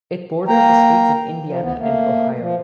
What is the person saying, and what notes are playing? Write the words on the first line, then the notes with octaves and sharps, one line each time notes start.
It borders the states of Indiana and Ohio.
A#3 G5 A#5
F3
D2 B3
A3 A#3
F3